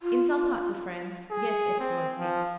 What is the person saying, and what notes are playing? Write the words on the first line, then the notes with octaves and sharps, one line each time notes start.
"In some parts of France--yes, excellency."
F4
G#4
C4
F3